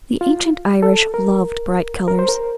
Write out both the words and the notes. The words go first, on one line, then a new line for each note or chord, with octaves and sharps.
The ancient Irish loved bright colours.
F4
A4
A#4
A#4
C5
A#4